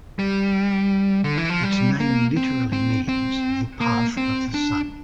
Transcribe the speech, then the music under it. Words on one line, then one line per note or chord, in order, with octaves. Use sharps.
Its name literally means "The Path of the Sun".
G3
D3
E3
F3
G3
A#3
C4
C4
C4
A#3
C4
D4